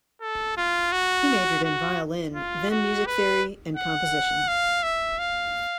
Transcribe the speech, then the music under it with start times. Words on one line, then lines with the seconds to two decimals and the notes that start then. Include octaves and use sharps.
He majored in violin, then music theory, and composition.
0.21 A4
0.57 F4
0.92 F#4
1.64 F#4
2.35 F4
2.71 F#4
3.06 B4
3.77 F#5
4.48 F5
4.83 E5
5.19 F5